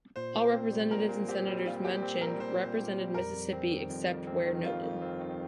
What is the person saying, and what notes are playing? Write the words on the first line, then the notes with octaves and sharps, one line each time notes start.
All representatives and senators mentioned represented Mississippi except where noted.
A#2 C5
A#2
C4
G3
A#2 A#4
A#2
C4 G4
G3
A#2 F4
A#2 G4
C4
G3 A#4
A#2 C5
A#2
C4
G3
F2 A#4
F2
C4
D#3
F2
F2
C4
D#3
F2 F4
F2
C4
D#3